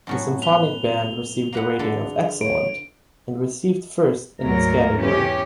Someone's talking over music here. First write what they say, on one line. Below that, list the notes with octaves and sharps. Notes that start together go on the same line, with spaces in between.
The Symphonic Band received a rating of "excellent" and received first in its category.
F#2 A2 F#3 B3
B4 F7 G7
A#3 B4 F#5
D3 G#4 A4
C#5 D7
D2 G#2 F#3 A#4
E2 C#4 G4